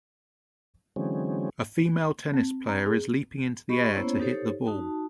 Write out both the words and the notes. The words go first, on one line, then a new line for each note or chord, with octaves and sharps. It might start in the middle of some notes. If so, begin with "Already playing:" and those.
A female tennis player is leaping into the air to hit the ball.
D3 E3 F#3 G#3 C4 C#4
C4
A#5
G#4
G4 D#5 B5 C#6
A#3 B3 C#4 E4 C5 C#5
D#4 G4 A4 C5 C#5
D#4 F#4 A5